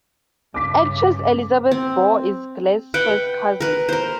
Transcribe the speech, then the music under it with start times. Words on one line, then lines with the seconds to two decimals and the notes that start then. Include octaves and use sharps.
Actress Elizabeth Baur is Gless's first cousin.
0.54 G2 C#3 D6 B6
1.71 C4
2.94 B4 F#5 G5
3.60 A#4 B4
3.89 A#4 C5